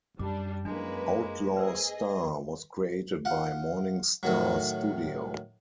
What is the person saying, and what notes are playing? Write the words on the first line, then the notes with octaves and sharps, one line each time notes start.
"Outlaw Star" was created by Morning Star Studio.
F#2 G3 D4 D6
F#2 F#3 G#3 A#3 D4 E4 B4
G#4 B4 C5 D#5 E6
F4 F#5
A2 D#3 F#3